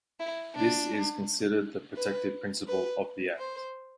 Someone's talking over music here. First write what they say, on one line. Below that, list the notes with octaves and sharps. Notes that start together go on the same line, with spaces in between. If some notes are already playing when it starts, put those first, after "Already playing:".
This is considered the protective principle of the act.
E4
D4
B4
B4
C5